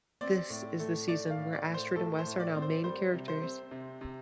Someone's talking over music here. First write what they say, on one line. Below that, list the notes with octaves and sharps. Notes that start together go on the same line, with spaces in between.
This is the season where Astrid and Wes are now main characters.
C4 D5
A2
A3
A3 D5
F5
A2
D5
A2
C5
A2 A4
C5
A2
D5
C4
C5
G3 C5
C3
C5
C4
C3
C3